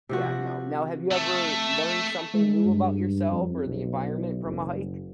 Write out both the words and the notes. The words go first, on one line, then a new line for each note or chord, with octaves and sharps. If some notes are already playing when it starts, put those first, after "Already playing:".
Yeah, no. Now have you ever learned something new about yourself or the environment from a hike?
C3 F3 F#4
A3
G#3
G2
F2
B1
F#1